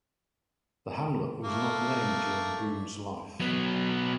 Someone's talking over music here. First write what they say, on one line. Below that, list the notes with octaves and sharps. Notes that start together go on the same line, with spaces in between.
The hamlet was not named during Boone's life.
A3 A#3
F#3 B3